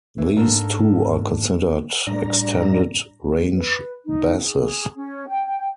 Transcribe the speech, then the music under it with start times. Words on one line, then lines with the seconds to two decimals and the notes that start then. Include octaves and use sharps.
These too are considered extended-range basses.
0.18 C3 E3
0.37 G#2 D4 A4 A#4
2.07 A2 G3 D4 D5 A#5 A#6
3.55 B4
4.05 D#4
4.42 G#4
4.63 G#4
4.96 C#4
5.29 G5